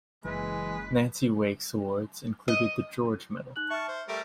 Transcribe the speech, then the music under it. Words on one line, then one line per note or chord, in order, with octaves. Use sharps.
Nancy Wake's awards included the George Medal.
F#1 E3 G#3 B4
D#5
D#4 F#6 F#7
E5 A5 C#6 F6
C5
G3 A3 A#4 E5 D7